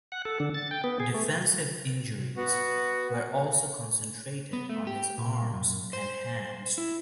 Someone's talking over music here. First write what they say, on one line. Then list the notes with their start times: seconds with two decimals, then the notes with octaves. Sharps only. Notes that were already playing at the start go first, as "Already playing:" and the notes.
Defensive injuries were also concentrated on his arms and hands.
0.12 F#5
0.25 A4
0.40 D3
0.54 A6
0.71 G5
0.84 B3
1.00 G#4
1.14 A3
2.37 B3 F#4
4.53 B3
4.70 A3
4.87 G4
5.18 A#2
5.54 F#2
5.93 C5
6.78 E4